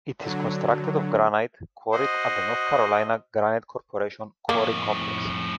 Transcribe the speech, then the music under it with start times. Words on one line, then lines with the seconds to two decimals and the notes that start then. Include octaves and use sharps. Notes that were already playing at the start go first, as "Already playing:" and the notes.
It is constructed of granite quarried at the North Carolina Granite Corporation Quarry Complex.
0.21 D3 F#3
1.93 F#4 C5 D#5
4.49 F2 A2 A#3